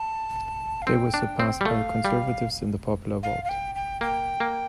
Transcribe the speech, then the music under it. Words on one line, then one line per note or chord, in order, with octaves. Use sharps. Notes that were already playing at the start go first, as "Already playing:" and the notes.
They were surpassed by the Conservatives in the popular vote.
Already playing: A5
F5
C4 G5
D4
C4
G3
A3 F5
G3
F5
F5
G5
G5
A#3 G5
A#3